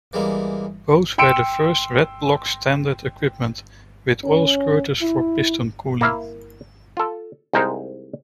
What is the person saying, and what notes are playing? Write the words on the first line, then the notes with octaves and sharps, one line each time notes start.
Both were the first redblocks standard equipped with oil squirters for piston cooling.
E3 G3 G#3 A#3
G5 C6 E6 C#7 D7 E7
C#4
E4
A#3 E4 F5
F4 A4
C2 G#3 D#4 A#4 C5 A#5